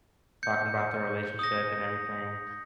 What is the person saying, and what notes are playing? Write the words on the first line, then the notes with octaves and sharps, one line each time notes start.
talking about their relationship and everything,
G6 C#7
D#6 A#6